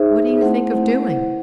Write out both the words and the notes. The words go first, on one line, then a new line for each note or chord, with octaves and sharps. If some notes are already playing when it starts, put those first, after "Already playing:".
'What do you think of doing?'
Already playing: D#4 G#4 C5 E5
A3 C4 E4 C5 F#5
E4 C5 F#5